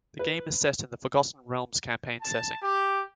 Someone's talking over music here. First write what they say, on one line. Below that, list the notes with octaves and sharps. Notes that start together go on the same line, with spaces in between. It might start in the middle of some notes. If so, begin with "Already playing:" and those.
The game is set in the Forgotten Realms campaign setting.
B4
A5
G4